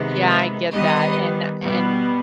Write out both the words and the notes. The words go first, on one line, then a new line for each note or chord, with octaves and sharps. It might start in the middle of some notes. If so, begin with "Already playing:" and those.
Yeah, I get that, and a and
Already playing: C3 D#3 G#3 B3
E5
D#3 G3 B3 D#5
B2 G3 B3